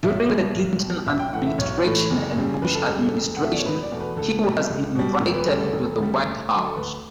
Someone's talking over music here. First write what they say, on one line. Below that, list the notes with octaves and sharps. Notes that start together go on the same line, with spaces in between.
During the Clinton administration and Bush administration, he was invited to the White House.
B1 E5
B2 G3
B1
B2 G3
B1 E5
G5
A2 E3 A3 F#5
E5
B1 C#5
A2 E3 A3
F#1
F#2 C#3 G3
F#1 B4
A4
F#2 C#3 G3
A4
E1
F#5
E2 B2 A3 E5
D5
C#5
E1 B4
D5
E2 B2 A3
B4
C#2 A4
B2 G3
C#2
B2 G3
E1
B4
D2 C#3 G3 A4
A4
E1
D2 C#3 G3
D2
D3 F#3
A4
D2 B4